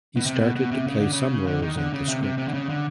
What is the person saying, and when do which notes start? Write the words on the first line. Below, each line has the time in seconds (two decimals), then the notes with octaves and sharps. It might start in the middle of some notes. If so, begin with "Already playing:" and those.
He started to play some roles in the script.
0.16 B2
0.26 C3
0.41 B2
0.56 B2
0.71 C3
0.87 C#3
1.00 D3
1.13 C#3
1.47 D3
1.62 D#3
1.77 D3
1.93 C#3
2.08 C3
2.23 C3
2.38 C3
2.48 D3
2.54 C#3
2.69 D3